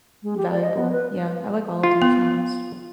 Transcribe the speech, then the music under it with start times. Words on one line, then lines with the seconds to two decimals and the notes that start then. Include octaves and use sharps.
valuable. Yeah, I like all of them, if I'm honest.
0.23 G#3
0.37 G4
0.51 D5
0.62 D#5
0.77 B3
0.92 B4
1.83 F4
2.02 B3